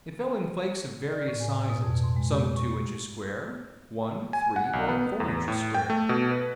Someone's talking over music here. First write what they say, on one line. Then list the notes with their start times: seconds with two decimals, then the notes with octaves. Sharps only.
It fell in flakes of various sizes; some two inches square, one, three or four inches square.
1.12 D5
1.28 A2
1.40 G#5
1.70 B2
1.84 F2
2.03 C6
2.16 G#3
2.31 G4
2.56 C#6
2.71 G4
4.33 G#5
4.56 F#5
4.73 B1
4.89 B3
5.07 B3
5.20 E2
5.48 A2
5.75 G5
5.90 A3
6.09 B2
6.31 B4